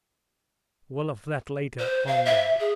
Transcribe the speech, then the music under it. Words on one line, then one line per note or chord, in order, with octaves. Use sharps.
Well, of that later on, though.
C5
F5
E5
G#4